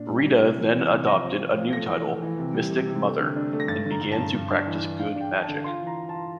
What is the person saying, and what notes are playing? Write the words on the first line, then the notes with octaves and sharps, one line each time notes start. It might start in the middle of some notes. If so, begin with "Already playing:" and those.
Rita then adopted a new title, Mystic Mother, and began to practice good magic.
Already playing: A#2 D4
G3
G3
C3
E3
E3
C3
F3 A#6
C4
C4
F3
A3 A#6
E3
A3
E3
C3
G3
C3
C3
A3
D3
D4
A3
A#6
G2 A6
D3
A#5
D3
A5
G2
G2
D4
E3
D4
D4 F5
D4 G5
D4
A5
D3
F4 C6
E3
A#5
F4
F4 A5